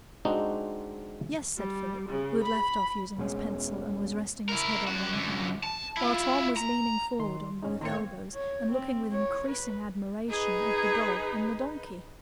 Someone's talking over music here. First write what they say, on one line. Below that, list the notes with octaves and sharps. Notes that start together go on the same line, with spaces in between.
"Yes," said Philip, who had left off using his pencil, and was resting his head on one hand, while Tom was learning forward on both elbows, and looking with increasing admiration at the dog and the donkey.
G#3 C4 D4 D#4 F#4
G3
C#3
B5
E1 B2 G#3 C#4
E4 A#4
F#2 F#4
F#2 D3
A5
E4 F4
A#5
D#3 C6
G#2 C#4 D#4
A2 D#3 A#3 C4 C#5
C#5
C4
C#5
B4
D#4 G#4 B4